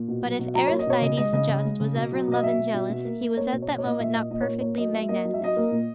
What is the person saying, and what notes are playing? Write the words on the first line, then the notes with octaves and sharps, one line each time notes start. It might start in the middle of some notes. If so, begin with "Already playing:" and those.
But if Aristides the Just was ever in love and jealous, he was at that moment not perfectly magnanimous.
Already playing: A#2
B2
F#3
B2
F#3 A#5
A#3 C#5
D#5
B2 C#5
C#3 D#5
G#3 D#5
C#3 D#5
C#3
G#3
C#3
B2
F#3
B2 D#5
F#3 E5
B2
B2
B2
A#3
A#3
A#3 C#5
B2
C#5
B2
C#5
A#2 D#5
A#2 E5
A#2 D#5
A#2 D#5
C#5
A#3
A#3 C#5
F#3 D#5
F#3 E5
A#3 D#5
F#3 D#5
E5
F#3 D#5
A#3
A#2